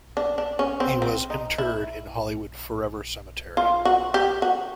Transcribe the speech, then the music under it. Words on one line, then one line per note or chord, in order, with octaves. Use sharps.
He was interred in Hollywood Forever Cemetery.
D4
D4
C#4
C4
C4
D#4
E4
F4
F#4
G4
F#4